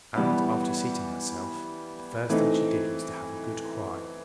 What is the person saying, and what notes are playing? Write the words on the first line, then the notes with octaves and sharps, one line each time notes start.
And, after seating herself, the first thing she did was to have a good cry.
E3 G3 B3
E3 A3 C4 D#4